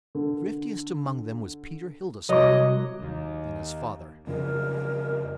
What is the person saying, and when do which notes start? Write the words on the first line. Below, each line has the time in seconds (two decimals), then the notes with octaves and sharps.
Thriftiest among them was Peter Hildesmuller, Lena's father.
0.15 D3
2.29 C2 F#3 C#5 D#5 D6
3.02 D#2
4.27 F2 C#3 F#3 A#4